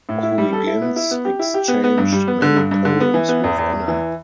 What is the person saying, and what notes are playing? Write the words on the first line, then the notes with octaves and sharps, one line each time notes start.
Huygens exchanged many poems with Anna.
A2
E4
G3
A4
E4
B3
E4
B3
G4
E4
G4
B3
B3
G2
G3
B3
D3
G2
G2
D3
B3
E3
B3
E2
E2
E2
E3